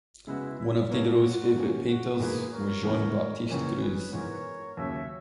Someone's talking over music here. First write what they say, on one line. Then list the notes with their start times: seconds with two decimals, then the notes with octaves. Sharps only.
One of Diderot's favorite painters was Jean-Baptiste Greuze.
0.26 C#3 G#3 B3 E4 F#4
0.58 E4
0.91 B2 A#3 E4 F#4 A#4 C#5
1.55 D#3 A#3 C#4
1.88 F#4
2.19 G#2 E3 A#3 G#4 B4
2.51 A#4 C#5
2.83 D#2 C#3 E3 B3
3.49 C#2 C#3 E3 A#3 C#4 A#4 C#5
3.80 G#4 B4
4.12 G#2 E3 B3 A#4 C#5
4.77 D#2 C#3 F#3 C#5 E5